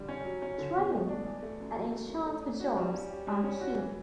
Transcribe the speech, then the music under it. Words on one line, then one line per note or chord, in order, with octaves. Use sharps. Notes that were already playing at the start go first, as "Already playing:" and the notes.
Training and a chance for jobs are key.
Already playing: D3 G3
C#4
F#3
C#4
D3
B2
A3
D4
E3
A3
F#2
F#3
A3
C#4
A3
D4
F#4
G3
C#4
G4
G3
C#4
F#4
E3